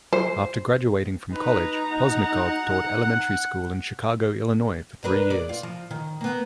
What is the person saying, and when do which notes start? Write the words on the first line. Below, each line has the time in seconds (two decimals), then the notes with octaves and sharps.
After graduating from college, Poznikov taught elementary school in Chicago, Illinois for three years.
0.13 C5
1.33 D#4 B4 A#5
1.91 F#5
5.04 D4 A#4 B4
5.30 D5
5.49 F4
5.63 F3
5.91 D#3
6.21 A#3 B3